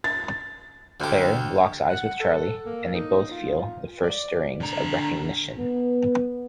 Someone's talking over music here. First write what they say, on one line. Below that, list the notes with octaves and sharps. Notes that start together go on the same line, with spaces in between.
Claire locks eyes with Charlie, and they both feel the first stirrings of recognition.
A6
D2 D3 G4
F#5
A4
A#3
D#4
F4
D5
D3 A#5
B3